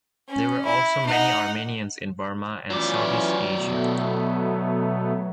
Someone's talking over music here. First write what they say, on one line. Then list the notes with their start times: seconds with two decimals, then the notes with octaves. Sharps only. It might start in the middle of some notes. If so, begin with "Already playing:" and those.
There were also many Armenians in Burma and Southeast Asia.
0.28 C#4
0.65 E4
1.06 D#4 F#5
2.70 E3 F#3 C#4 F4 D5
3.54 B2 A3 B3